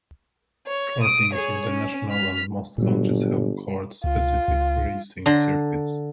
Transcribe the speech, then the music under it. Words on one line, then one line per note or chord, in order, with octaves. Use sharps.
Karting is international and most countries have kart specific racing circuits.
C#5
D#6 D7
G#4 C#5
C#4
F6 B6
G1 A#2 F#3
C#2 F4
C#2
D3 A#5 C6